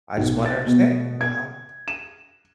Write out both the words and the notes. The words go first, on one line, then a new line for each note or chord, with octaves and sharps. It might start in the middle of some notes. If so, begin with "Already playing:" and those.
I just wanna understand, you know, how
B1
A6
B2
G#6
E7